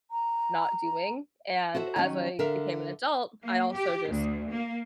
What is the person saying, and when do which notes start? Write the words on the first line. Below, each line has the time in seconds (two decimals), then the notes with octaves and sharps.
not doing and as I became an adult, I also just
0.11 A#5
1.75 F#4 A4 C5 E5
1.96 D#3 F#3 C#4
2.39 D3 A#4 E5 F5
3.43 A#3
3.74 G4
4.11 D2
4.51 A#3